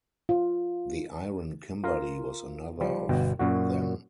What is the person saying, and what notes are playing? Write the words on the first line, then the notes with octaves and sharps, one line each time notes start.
The Iron Kimberley was another of them.
F4
F4 A#4 F5
F3 G3
G1 B2 G5
F#2 A#2 F#4